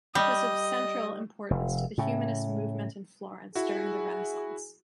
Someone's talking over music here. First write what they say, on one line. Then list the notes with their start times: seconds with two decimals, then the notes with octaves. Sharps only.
It was of central importance to the humanist movement in Florence during the Renaissance.
0.15 G3 D#5
1.50 F1
1.98 A2 C#3
3.55 E4 F#4 G#4